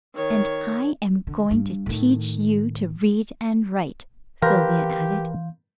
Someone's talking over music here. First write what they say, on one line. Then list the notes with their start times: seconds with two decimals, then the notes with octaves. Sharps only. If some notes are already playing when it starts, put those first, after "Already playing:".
"And I am going to teach you to read and write," Sylvia added.
0.15 D#3 C#5
1.27 D3
1.51 G2
1.86 A2 D#3
4.42 E3 G4 A#4 B4 F5 C6 G6